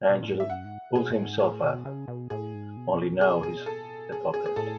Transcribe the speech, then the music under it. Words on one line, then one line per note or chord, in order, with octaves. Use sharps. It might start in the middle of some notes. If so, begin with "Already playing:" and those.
Angel pulls himself up... only now he's a puppet.
B2
A2
G#2 E5
F#2 F#5
G#2
B2 G#4
A2
G#2
A2 G#4
B2
C#3
B2
A2 G#4
G#2
B2
G#4
G#4
A4
G#4
G#4
G#4
A2 A4